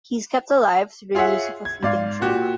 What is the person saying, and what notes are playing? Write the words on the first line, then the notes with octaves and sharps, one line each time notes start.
He is kept alive through the use of a feeding tube.
F4 G#4 C#5 E5 F#5
G#6
G#2 D5 F5
A#2 F#4 G4